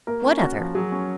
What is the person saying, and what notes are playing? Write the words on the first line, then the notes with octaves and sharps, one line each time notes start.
"What other?"
A#3 A#4
C#4
F#4
F3
F#3 G#4
C#4